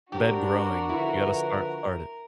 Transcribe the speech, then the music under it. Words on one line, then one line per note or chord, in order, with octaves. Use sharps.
Bed growing. We gotta start start it.
C4 D4 F#4 G4 A#4
D3 F3 E4 B4